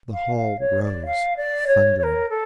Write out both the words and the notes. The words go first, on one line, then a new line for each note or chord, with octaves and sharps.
The hall rose, thundering.
F5
F5
C#5
D5
F5
D5
C#5
C#5
A#4
A4